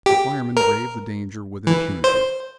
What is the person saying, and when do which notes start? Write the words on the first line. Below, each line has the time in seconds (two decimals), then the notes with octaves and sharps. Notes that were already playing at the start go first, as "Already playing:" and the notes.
The firemen braved the danger with impunity.
0.06 G4
0.57 A#4
1.67 E3
2.04 C5